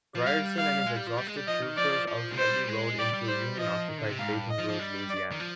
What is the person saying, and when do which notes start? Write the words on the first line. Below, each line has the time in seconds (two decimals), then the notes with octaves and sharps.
Grierson and his exhausted troopers ultimately rode into Union-occupied Baton Rouge, Louisiana.
0.16 F3
0.26 G3 F5
0.57 F5
0.87 G#3
0.97 G3
1.07 F3
1.17 G3
1.27 G#3
1.37 G3
1.47 F3 D#5
1.62 D#3
1.77 F3 D5
2.07 F3
2.31 G#3
2.38 G3 C5
2.68 G#3
2.99 G3 D5
3.14 G3
3.28 C5
3.58 F3 D#5
3.89 D#3
3.98 D3
4.10 C3
4.19 G#2 F5
4.34 G2
4.50 D#5
4.60 F3
4.70 F3
4.80 G3
5.10 D5
5.32 D#3
5.40 F3